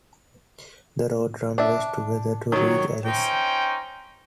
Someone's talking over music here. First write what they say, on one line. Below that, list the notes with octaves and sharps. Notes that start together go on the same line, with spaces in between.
The roads run west together to reach Alice.
D4 E5
D#3 F#3 C#5
C#4 D#4 C5 G5